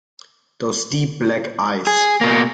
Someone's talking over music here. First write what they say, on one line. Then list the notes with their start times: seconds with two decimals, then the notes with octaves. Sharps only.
Those deep black eyes!
1.87 G#4
2.21 B2 A#3